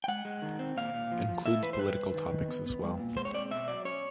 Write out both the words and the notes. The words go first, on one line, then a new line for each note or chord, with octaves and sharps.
Includes political topics as well.
G5
G#3 F#5
G#3
D#3
C4
A#2 F5
A#2
F3
F3
A2 E5
E3 B4
C5
G3 B4
G3
D#3
D#3
B3
B3
G3
A#2
G#3 C5
C#5
C4 D5
B2 E5
F#3 D5
C#4 C#5